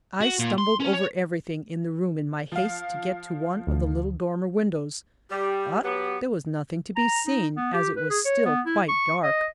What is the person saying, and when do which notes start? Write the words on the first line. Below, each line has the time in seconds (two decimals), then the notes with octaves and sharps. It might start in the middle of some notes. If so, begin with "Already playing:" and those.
I stumbled over everything in the room in my haste to get to one of the little dormer windows, but there was nothing to be seen, as it was still quite dark.
0.21 F#4
0.39 A#2
0.58 C6
0.80 C#4
0.93 C#5
2.52 F3 F5
3.67 D2
5.30 G3 G4
5.83 F#3 B3 G4
6.96 A#5
7.26 D#4
7.57 B3
7.74 G4
7.97 B4
8.10 G#4
8.25 C#5
8.46 B3
8.66 E4
8.88 C#6
9.23 D#5